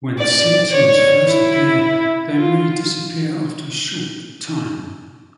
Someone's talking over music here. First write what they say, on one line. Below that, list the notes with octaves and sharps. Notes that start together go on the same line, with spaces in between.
When symptoms first appear, they may disappear after a short time.
D5
C#5
E4
F4